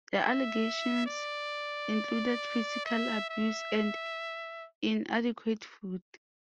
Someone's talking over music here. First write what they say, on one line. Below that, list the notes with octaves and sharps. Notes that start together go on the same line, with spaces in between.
The allegations included physical abuse and inadequate food.
E5
D5
E5
E5